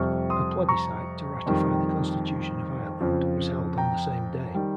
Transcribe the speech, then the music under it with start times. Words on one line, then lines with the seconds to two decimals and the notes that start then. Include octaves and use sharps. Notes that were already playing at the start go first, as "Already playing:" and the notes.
A plebiscite to ratify the Constitution of Ireland was held on the same day.
Already playing: F2 C3 G3 C#6 F6
0.30 C6 D#6
0.69 A#5 C#6
1.46 F2 D#3 G3
3.00 F2 C#3 F3
3.78 G5 A#5
4.55 D#3 G3